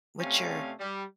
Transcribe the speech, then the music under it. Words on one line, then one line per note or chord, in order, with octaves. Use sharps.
What's your,
C3 A3 C4 C#4 D5 F5
G3